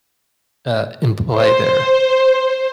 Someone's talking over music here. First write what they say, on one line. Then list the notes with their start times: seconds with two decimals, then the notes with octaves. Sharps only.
uh, in play there.
1.36 C5